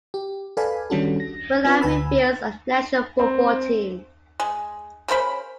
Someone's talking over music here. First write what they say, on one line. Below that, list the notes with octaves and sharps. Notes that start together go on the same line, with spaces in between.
Malawi fields a national football team.
G4
A4 B4 D5 F5 G#5 B5
D#3 G3 C#4 D4 F#4 A4
A#6
C4 D4 F4 B4
D2 B4 G#5 B5 E6
C4
G#3
C#3 A#4 C5 B5